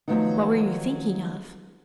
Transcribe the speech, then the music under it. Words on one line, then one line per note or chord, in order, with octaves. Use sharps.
"What were you thinking of?"
D#3 F3 F#3 A3 B3 D#4